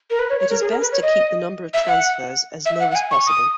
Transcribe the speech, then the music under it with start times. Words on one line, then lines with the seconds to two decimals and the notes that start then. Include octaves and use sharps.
It is best to keep the number of transfers as low as possible.
0.10 A#4
0.19 B4
0.29 C#5
0.40 C#5
0.50 A#4
0.61 G#4
0.71 A#4
0.81 B4
0.92 C#5
1.02 D#5
1.74 E5
1.88 F#5
2.66 E5
2.80 F#5
2.92 F#5
2.95 G#5
3.11 C#6
3.27 D#6